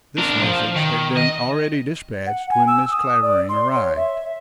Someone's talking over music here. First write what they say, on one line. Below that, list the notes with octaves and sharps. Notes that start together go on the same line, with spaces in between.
This message had been already despatched when Mrs. Clavering arrived.
D4 A#4
F3
D#3
D#5
F#5
G#5
E6
D#6
D5
C6
C#5
E5